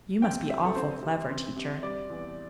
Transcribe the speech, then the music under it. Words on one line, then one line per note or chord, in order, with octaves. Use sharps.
You must be awful clever, teacher.'
C4 G5
C3 E5
A4
C4 C5
C3
C4
C3
G3 D5
E2